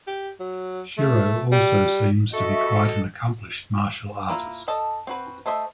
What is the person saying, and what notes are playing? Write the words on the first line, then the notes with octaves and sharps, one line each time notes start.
Shiro also seems to be quite an accomplished martial artist.
G4
F#3
A3
G3
F#4 A4 D#5 E5 C#6
A#3 E4 F4
A4 D#5 A5
C4 F#4 B4
A3 C5 D#5 E5